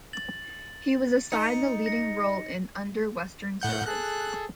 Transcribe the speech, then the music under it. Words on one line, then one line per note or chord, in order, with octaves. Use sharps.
He was assigned the leading role in "Under Western Stars".
A6 F#7
D#4 C#7
A#6 C#7
A2 F#5 G6
G#4 A4 F#6